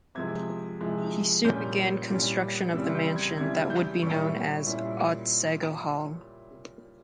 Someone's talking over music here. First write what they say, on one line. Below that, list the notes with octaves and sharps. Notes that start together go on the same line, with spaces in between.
He soon began construction of the mansion that would be known as Otsego Hall.
C3 F3 G#3 G#6
C3 F3 G#3
A#2 G3 C#4 G6
A#2 G3 C#4
C#3 E3 G3 C4 E4 E6
G6
G#6
C#3 E3 G3 C4 E4 G#6
G6
A#2 G3 C#4 E4 C#6
A#2 G3 C#4 E4